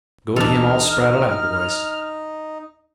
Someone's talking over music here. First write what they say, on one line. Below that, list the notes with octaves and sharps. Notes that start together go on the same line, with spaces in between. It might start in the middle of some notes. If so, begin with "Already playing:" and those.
Go to him all spraddled out, boys.
D1 E3 C4 D4 D#4 A4 F6